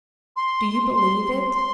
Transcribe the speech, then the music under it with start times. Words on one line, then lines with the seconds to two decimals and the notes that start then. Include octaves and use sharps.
Do you believe it?'
0.36 C6
0.96 C6
1.55 C6